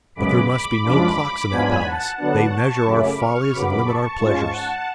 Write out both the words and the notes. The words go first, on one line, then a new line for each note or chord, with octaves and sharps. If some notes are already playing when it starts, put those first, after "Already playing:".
But there must be no clocks in that palace--they measure our follies and limit our pleasures.
F#2 C#3 G#3 B3 B5 D6
B5 D6
F#2 F3 G#3 D4 F4 B5 D6
G#2 F#3 B3 D4 F4 G#5 B5
F#5 A5
D3 F#3 B3 D4 F#5 A5
A5 C#6
F#2 C#3 F#3 A3 C#4 B5 D6
C#6 F6
F#2 C#3 F#3 B3 B5 D6
A5 C#6
G#2 G#3 C#4 F4
F#5 A5